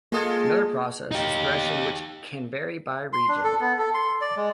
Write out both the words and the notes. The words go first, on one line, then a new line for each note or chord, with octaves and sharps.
Another process is threshing which can vary by region.
G#3 A#3 F4 A4 D#6 G#6
D#4 G4
C6
D4
A4
B3
A4
C6
D5
G#3